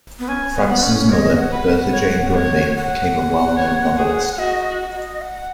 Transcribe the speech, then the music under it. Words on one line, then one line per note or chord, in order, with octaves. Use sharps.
Francis' mother, Bertha Jane Grundy, became a well-known novelist.
B3
C#4 G#5
B3
F#5
C#4
C#5 D#5
F#5
B4
F#5
C#5
C#5
F#5
C#5
G#4
F#4 D#5
D#5
F#5